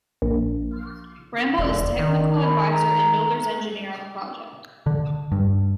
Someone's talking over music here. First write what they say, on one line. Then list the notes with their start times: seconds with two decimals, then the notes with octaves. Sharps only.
Ramboll is technical advisor and builder's enigineer on the project.
0.22 A#1
1.59 E1 D5
1.99 D#3
2.43 B5
2.72 A#5
4.86 D3
5.32 G2